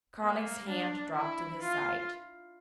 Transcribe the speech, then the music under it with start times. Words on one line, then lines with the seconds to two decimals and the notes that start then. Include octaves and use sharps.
Carling's hand dropped to his side.
0.22 A#3
0.69 D4
1.15 E4
1.62 F4